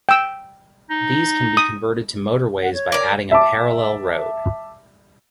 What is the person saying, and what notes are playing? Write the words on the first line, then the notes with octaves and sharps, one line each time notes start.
These can be converted to motorways by adding a parallel road.
G5 E6
D#4
D#6
F#5
C#5
A#4 D5
E5 A5 D6